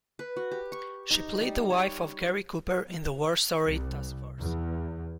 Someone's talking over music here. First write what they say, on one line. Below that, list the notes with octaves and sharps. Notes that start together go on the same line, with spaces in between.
She played the wife of Gary Cooper in the war story "Task Force".
B4
F#4
G4
C#6
D#4
G3
C#5
C2
E2